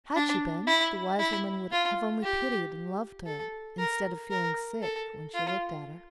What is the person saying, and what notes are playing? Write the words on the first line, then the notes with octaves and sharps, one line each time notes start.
Had she been, the wise woman would have only pitied and loved her, instead of feeling sick when she looked at her.
D4
E4
E4
F4
G4
A4
A#4
A#4
A4
F4